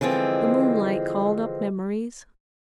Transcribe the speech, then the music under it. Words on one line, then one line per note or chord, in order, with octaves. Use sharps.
The moonlight called up memories.
D3 E3 F3 G#3 C4